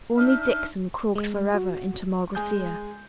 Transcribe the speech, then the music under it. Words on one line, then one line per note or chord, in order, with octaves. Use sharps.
Only Dixon croaked for ever into Margaret's ear.
D4 D#4 E5 F6
G#3
F#4
G#3 G#5 D#6 G6